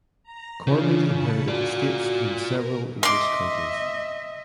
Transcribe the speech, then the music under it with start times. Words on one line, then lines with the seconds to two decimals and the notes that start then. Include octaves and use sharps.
Corbett inherited estates in several English counties.
0.23 A#5
0.67 C#3 E3 D4 F4
1.14 A5 B5 C#7
1.48 F4 F#4 D5
2.50 A#4
3.03 D#5 E5 C6 D6